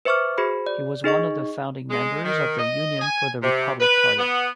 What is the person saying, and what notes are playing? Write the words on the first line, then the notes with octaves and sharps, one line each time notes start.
He was one of the founding members of the Union for the Republic party.
B4 C5 E5 C#6 D6 F6
F#4 G#4 C5 B5
D5
D#4 G#4 D#5 C#6
G#3
D#3
D#5
G#5
C3
B4
B3